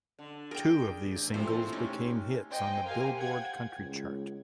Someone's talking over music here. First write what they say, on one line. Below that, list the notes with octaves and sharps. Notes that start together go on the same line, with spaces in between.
Two of these singles became hits on the "Billboard" country chart.
D3
G#4 A#4 G5
A1 D7
A#2 F3 A3 C4 E4 C5
C3 C#4 D#4
C5 D#5 G5 G#5
G4 A#4 C5 F5 G#5
F#5 G5 G#6
C#2